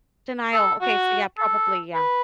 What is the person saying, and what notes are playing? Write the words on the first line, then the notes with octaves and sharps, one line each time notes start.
Denial. Okay, so, yeah, probably, yeah.
A4
F#4
A4
B4